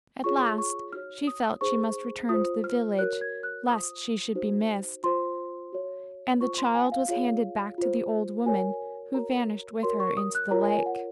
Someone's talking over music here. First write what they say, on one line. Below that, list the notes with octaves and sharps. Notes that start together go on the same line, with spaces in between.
At last she felt she must return to the village, lest she should be missed, and the child was handed back to the old woman, who vanished with her into the lake.
F4 G#4 C#5 C#6
C#6
D#4 F#4 C#5 F6
D#6
D#4 G#4 C5 C#6
F4 C5 D#6
F6
F#4 A#4 C#5 F#6
G#6
F#6
F4 C5 D#6
D#4 F#4 C5
F4 C5 C6
F#4 C#5
F4 C5 C#6
C6
G#5
F5
F4 G#4 C#5 F5
F4 C5
F#4 A#4 C#5 G#5
F#4 A#4 C#5 A#5
F#4 A#4 C#5 C6
C#6
D#6
F#6
F4 A#4 C#5 A#5
G#5
F#5